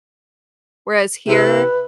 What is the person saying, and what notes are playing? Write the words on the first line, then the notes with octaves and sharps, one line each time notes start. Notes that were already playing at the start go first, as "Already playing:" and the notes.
whereas here,
C3 E4 B4